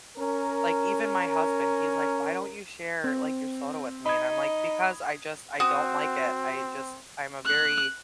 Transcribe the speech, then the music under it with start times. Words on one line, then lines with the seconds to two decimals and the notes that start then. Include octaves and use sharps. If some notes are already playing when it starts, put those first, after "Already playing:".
like, even my husband, he's like, "Why don't you share, like, your soda with me?" And I'm like, "Because I just I don't like it," I just I'm a very
0.18 C#4 A#4
3.04 C4
4.06 D#4 B5 D#6 G#6
5.60 C4 F#4 D#6
7.46 F#6